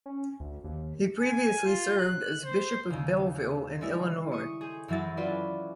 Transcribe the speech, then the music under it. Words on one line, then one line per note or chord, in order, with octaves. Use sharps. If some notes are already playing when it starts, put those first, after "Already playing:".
He previously served as Bishop of Belleville in Illinois.
C#4
D2
D#2
G#5
F4
F#6
C5
D#2 C#3
G3 G#3 E4
C#6 D#6 C#7
G#4 C5
F#2 E3 F#3 E4 F#4 A6
C#4 F4 F#4 B4 D5